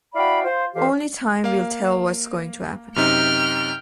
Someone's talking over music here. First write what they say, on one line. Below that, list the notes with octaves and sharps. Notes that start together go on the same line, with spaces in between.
Only time will tell what's going to happen.
E4 F#4 D5 F5 G5 B5
F4 C5
F2 D3 E3 G4 C5 F5
A#3 F5
F#2 C3 D#4 G5 F6